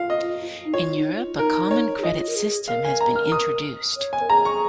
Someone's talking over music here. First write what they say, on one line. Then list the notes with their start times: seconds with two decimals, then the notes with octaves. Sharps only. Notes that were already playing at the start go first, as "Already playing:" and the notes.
In Europe, a common credit system has been introduced.
Already playing: F4 F5
0.10 D#5
0.65 D#4
0.74 F4 C#5
0.96 D#4
1.17 F4
1.38 D#4 A#4
1.71 C#5
1.98 G#4
2.03 F4 D#5
2.28 A#4
2.36 G#4
2.68 A#4 F5
2.85 G#5
3.01 A#5
3.16 F6
3.32 D#6
3.97 C#5
4.13 G#5
4.21 A#4
4.30 G#4 A#5
4.45 C#6